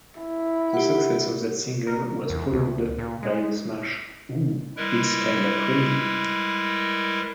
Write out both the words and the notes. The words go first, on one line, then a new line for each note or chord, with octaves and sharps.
The success of that single was followed-up by the smash "Ooh It's Kinda Crazy".
E4
G4 F#5
A#4
E2
D2
A#2
G#3
G3 G#3 E4 A#4 B4